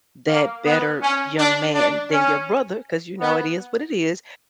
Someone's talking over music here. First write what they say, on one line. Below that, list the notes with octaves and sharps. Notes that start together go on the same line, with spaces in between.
that better young man than your brother, 'cause you know it is what it is,
A#3
B3
C#4
D4
D4
C#4
B3